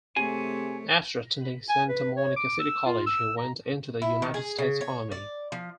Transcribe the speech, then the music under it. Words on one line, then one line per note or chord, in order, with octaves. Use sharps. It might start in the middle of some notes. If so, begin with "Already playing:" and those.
After attending Santa Monica City College, he went into the United States Army.
C3 A3 G#4 C#5 G#5
G#5
B4
C#5
D6
E6
F4
E6
A#5
E4
D#3
G#4
C#3
C#5
D5
F3